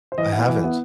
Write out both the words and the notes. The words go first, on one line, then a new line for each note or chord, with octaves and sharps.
I haven't.
C5
E3 D#5
B3 E4 F#5
E3
B3 E4